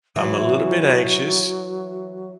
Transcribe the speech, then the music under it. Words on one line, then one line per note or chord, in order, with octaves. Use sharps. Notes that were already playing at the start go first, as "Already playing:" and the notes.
I'm a little bit anxious.
E3 F#3